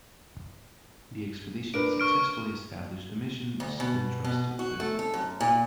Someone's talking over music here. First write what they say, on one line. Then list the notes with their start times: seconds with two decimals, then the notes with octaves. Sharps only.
The expedition successfully established the missions entrusted to it.
1.74 D4 A#4 B4 D7
2.00 C#6 F6 D7
3.60 D2
3.80 B2
4.24 B2
4.59 F#4
4.80 A3
4.99 A4
5.14 F#2
5.40 A#2